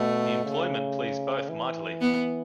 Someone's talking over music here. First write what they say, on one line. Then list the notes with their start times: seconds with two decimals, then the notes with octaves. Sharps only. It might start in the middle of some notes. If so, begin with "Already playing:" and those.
The employment pleased both mightily.
Already playing: B2 A3
0.44 C#3
1.49 E3
2.01 B3